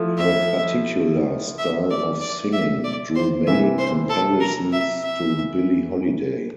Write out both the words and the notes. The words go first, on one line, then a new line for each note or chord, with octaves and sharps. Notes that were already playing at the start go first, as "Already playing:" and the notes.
Her particular style of singing drew many comparisons to Billie Holiday.
Already playing: F3 A3 E4
E5
E5
D5
D5
E5
D5
C5
C3 E3 A#3 E5
C5
A4
A#4
E5
E5